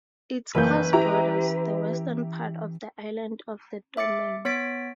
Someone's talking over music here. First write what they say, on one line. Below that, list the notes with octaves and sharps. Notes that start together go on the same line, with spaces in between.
Its course borders the western part of the island of the Domaine.
F#1 E3 A#3 C#4 B4 G6
E4 G4 A#5
E5 D6 A6 C#7
B3 C#5 A6 B6 D7